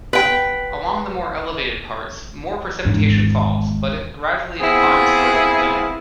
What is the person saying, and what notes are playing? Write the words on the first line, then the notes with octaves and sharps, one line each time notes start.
Along the more elevated parts, more precipitation falls, but it gradually declines further within.
B4 G5
G#1 E2 G#2 D4
B3 C4 E4 F4 G#4